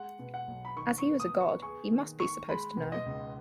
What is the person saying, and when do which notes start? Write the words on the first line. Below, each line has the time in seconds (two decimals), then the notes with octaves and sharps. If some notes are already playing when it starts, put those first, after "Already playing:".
As he was a god, he must be supposed to know.
Already playing: G#3 F#5
0.19 B2
0.34 F#5
0.48 B1
0.65 B5
0.76 D#3 C#6
0.98 C#6
1.05 B3
1.20 D#6
1.33 B3
1.41 C#6
1.62 G#4 C#6
1.92 D#3
2.19 D#3 C#6
2.48 G#3 B5
2.77 B2
2.92 D#5
3.06 C#2